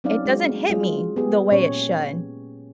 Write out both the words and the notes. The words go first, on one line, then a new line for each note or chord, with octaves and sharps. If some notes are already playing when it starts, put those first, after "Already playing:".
It doesn't hit me the way it should.
F#3 C4 C#4 D#4 D5 F5
G#3 F#4
F#3 G#3 F4 G#4
B3 G4 G#4
A#2 C#4 C#5